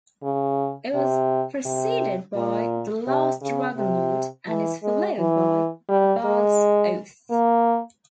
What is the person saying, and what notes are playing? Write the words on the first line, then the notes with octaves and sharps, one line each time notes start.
It was preceded by "The Last Dragonlord", and is followed by "Bard's Oath".
C#3
C3
C3
A#2
C3
C#3
C3
E3
G#3
E3
G3
G#3
A#3